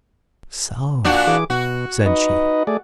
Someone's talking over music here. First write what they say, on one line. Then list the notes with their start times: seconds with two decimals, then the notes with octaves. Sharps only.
"So!" said she.
1.04 A#2 D4 F#4
1.27 E3 G#4 D6
1.50 B2 F#4
2.06 D#4 B4 D#5
2.67 A3 G#4 D5